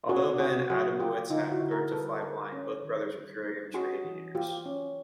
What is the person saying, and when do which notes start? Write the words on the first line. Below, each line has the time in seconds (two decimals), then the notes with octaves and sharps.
Although Ben Adamowicz had learned to fly blind, both brothers were purely amateur aviators.
0.09 C#4 F#4 G#4
0.39 C#3 F#4 G#4
0.70 F#3 F#4 G#4
1.00 A#3 F4 G4
1.30 D3 D#4 F4
1.51 E4 F#4
1.62 D3
1.71 G#4 A#4
1.91 G3 A4 B4
2.16 A4
2.22 A#3 G#4 A#4
2.52 C#4
2.83 D#3
3.14 G3
3.43 A#3
3.74 C#4 F#4 G#4
4.04 E3
4.35 A#3 F4 G4
4.66 C#4